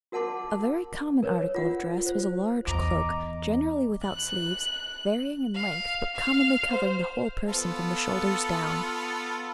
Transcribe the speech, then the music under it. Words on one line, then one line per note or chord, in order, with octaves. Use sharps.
A very common article of dress was a large cloak, generally without sleeves, varying in length, but commonly covering the whole person from the shoulders down.
F#4 A#4 F#5 A5 C6 D6
A#4 B4 C#5
F4 F#5
C5
E2 D#5 A#5 D6
F#6
F5
F5
C5
B3 F4 A4